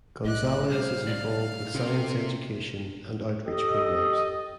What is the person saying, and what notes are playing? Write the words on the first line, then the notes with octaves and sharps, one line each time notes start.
Gonzales is involved with science education and outreach programs.
B1 A2 D5 D#5 F#6
B2 G3 C5 F5
D5
C3 C#4 A4
G4 A4 D#5